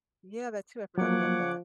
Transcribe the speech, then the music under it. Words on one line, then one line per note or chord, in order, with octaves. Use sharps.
Yeah, that too. I forgot about that.
F3 F#3 A#3 C#5 F#5 D6